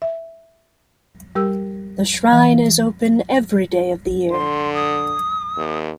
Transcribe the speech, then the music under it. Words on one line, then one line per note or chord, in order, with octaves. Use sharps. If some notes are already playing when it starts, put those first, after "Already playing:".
The shrine is open every day of the year.
E5
G3 G4 A#4 E6
E3
D3 C6
D#6
D#2